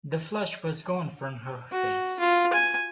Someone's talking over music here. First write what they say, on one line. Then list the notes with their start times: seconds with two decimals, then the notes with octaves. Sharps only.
The flush was gone from her face.
1.72 F#4
2.19 F4
2.53 G#5